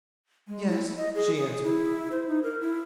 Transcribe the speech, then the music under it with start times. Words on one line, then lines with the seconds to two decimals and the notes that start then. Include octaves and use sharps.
"Yes," she answered.
0.48 G#3
0.68 E4
0.97 D#5
1.15 G#4
1.35 G#4
1.63 E4
2.12 C5
2.27 D#4
2.43 A#4
2.61 E4